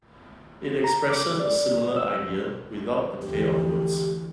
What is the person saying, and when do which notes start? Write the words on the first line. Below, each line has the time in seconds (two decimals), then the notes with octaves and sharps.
It expresses a similar idea without the play on words.
0.84 A#5
1.10 D6
1.40 D5
1.97 E6
3.22 D2 D3 E3 G4